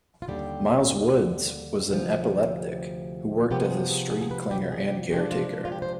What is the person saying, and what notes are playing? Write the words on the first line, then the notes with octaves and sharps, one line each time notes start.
Miles Woods was an epileptic who worked as a street cleaner and caretaker.
F4
D#2 D3 G3 G4
D2 C3 F3
C3 F3 B3 G4
G#4
G#4
G#4
G#4
B4
G4
G#4
G4
C3 F3 G#3 D4 G4
F4
F4
G4
C5